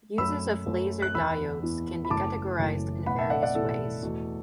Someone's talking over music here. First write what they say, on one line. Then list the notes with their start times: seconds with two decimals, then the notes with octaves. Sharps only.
Uses of laser diodes can be categorized in various ways.
0.18 F#2 F#3 A3 B5 E6
0.66 F#2 F#3 A3
1.02 F#6
1.14 E2 E3 B3 B5 E6
1.62 E2 E3 B3
2.05 B5
2.10 F#1 F#2 E3 A3 A5 D6
2.59 F#1 F#2 E3 A3
3.06 B1 A2 E3 B3 F#5 B5
3.18 E5 A5
3.30 D5 F#5
3.42 D5 F#5
3.54 B1 A2 E3 B3 A4
4.03 E2 B2 A3